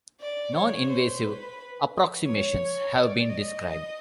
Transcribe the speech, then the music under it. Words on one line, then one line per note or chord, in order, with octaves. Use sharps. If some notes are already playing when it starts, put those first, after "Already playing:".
Noninvasive approximations have been described.
D5
C#5
C5
B4
C#5
D5
D#5